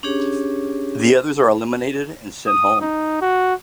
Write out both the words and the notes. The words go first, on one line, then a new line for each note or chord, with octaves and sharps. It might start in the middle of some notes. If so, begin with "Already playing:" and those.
The others are eliminated and sent home.
C#4 D4 G4 G#4 C#5
D#6
D#4
F#4